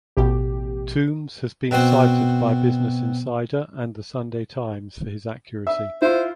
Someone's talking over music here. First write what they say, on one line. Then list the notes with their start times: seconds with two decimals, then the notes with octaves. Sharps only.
Tombs has been cited by Business Insider and the Sunday Times for his accuracy.
0.17 A1 B2 G4
1.71 B2 C4 F#4 C5
5.67 E5
6.02 E4 F4 C5